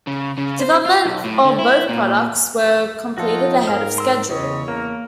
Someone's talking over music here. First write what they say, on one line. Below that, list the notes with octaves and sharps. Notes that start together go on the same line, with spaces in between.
Development of both products were completed ahead of schedule.
C#3
C#3
C5
F4
B1
A2
D3
E4
A#2
F3 D#4 F4 F#4 A4
G#2 A#4 F5
C6 E6
E2 C#3 C#5 D#5
A#3 A#4